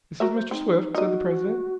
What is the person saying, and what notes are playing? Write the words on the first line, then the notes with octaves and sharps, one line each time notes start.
"This is Mr. Swift," said the president.
F#4 A#4 E5
C5
C4 D#4
D#4 F#4 D#5